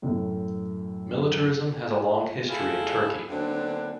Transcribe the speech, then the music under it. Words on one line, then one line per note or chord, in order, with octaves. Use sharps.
Militarism has a long history in Turkey.
F#2 A2
A3 E4 F4 G4 G#4
D#2 D3 F#3 B3 C4 D4